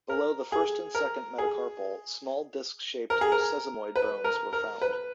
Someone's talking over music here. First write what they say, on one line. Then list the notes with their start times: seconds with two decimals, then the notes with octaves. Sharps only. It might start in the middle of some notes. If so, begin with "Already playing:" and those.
Below the first and second metacarpal small disc-shaped sesamoid bones were found.
0.10 A#4
0.52 G#4
0.95 A#4
1.38 G#4
3.10 A#4
3.21 G#4
3.32 A#4
3.96 B4
4.24 A#4
4.53 A#4
4.82 B4